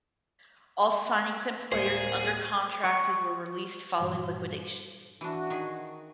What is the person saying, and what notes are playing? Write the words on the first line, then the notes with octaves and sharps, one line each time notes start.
All signings and players under contracted were released following liquidation.
D1 G3 A#3 G#4 C5 C#7
C#6
G2 A#2 E3 G3 F#4
E3 D4 F#4
D#3 G#4